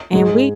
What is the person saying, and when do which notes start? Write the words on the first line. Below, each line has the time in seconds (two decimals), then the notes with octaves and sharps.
and we
0.13 G#2 G#3